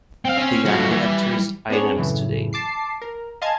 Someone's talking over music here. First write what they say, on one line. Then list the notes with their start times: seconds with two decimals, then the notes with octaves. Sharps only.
They are collectors' items today.
0.25 C4 F5 G5
0.37 C#4
0.65 A2 G3 F4 F#4
0.90 E3 G3
1.70 B3 C4 D4 G#4 C#5
1.97 F#2 A2 C#3 E3
2.53 A5 D6 C7
3.02 A#4
3.42 D#5 F5 G#5 A5 C6 G#6